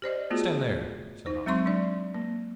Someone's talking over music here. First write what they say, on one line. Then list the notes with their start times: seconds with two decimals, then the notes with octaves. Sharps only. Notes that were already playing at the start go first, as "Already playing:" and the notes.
"Stand there," said I.
0.02 G4 C5 D5 D#5
0.30 A3 B3 F4 F#4 G#4
1.26 D#4 C5
1.46 F#3 G#3 C4 E5 C6 C#6
1.65 F#3 D4 D5
2.15 A#3